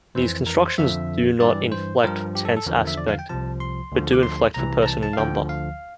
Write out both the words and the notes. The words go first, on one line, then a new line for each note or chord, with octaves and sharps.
These constructions do not inflect for Tense-Aspect, but do inflect for person and number.
F2 E3 C5
A#4
C5
F2 D3 F3 E5
G2 E3 D5
C5
G2 F3 A#4
G4
A4
A4
E2 D3 F3 A#4
E5
D5
F5
G5
C2 C3 F3 A5
C6
D2 D3 F3
D6
C6
C2 C3 E3 A#5
A#5
A5
A5
F5
D2 D3 F3 G5
F5